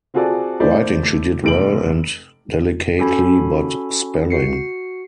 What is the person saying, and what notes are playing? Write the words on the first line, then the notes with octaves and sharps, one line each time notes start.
Writing she did well and delicately — but spelling!
C4 F4 F#4 G#4 A4 D5
A3 E4 C5 D5
F1 D7 F#7
C#4 F#4 A4 G#5 B5
F#4 C7 C#7